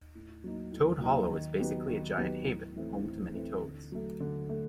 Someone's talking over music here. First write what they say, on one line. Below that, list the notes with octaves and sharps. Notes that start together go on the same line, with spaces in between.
Toad Hollow is basically a giant haven, home to many Toads.
A2
F#3 A#3 D#4
A2
F#3 A#3 D#4
D#3
F#3 B3 D#4 G4
D#3
F#3 B3 D#4 G4
A2
E3 A3 C4 E4
A2
E3 A3 C4 E4
D3
F#3 A3
D3
A3